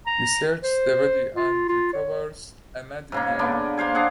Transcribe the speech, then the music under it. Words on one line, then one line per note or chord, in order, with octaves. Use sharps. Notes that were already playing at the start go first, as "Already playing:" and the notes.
He searches the body and recovers a medallion.
A#5
C5
F4
F4
C#5
G#2 C#3 A#3
D3 A#3 B3
A#3 C5 F5 G#5
D4 G#4 F5 F#5